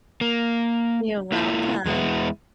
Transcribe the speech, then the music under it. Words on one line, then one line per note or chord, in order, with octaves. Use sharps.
You're welcome!
A#3
A#3 E4 F4
E2 G#3 B3 E4